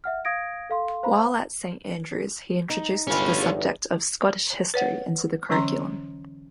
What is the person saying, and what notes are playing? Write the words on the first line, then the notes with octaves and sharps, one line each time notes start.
While at Saint Andrews he introduced the subject of Scottish history into the curriculum.
E5 F#5 F6
F5 D#6 G#6 A#6 D7
A4 F5 C6
C5 F5 A#5 B5
D#4
G1 C3 C#4 F4 B5
E2
B4 C#5 F#5
D3 E3 F#3 C#4 A#5 C6